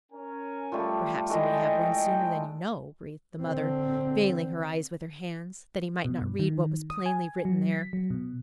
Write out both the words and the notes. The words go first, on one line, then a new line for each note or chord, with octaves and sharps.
"Perhaps you may have one sooner than you know," breathed the mother, veiling her eyes with her hands, that he might not read what was plainly written there.
C#4 A#4 G#5
F3 G3 A3
E3 G#3 A3 D#5 G5
D3 C4
B2
G2
D#3
D#6
G#5
F#3
B6
F#3
B2